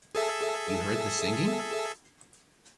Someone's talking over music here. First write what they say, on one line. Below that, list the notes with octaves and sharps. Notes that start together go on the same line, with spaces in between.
You heard the singing?
G#4 A4 E5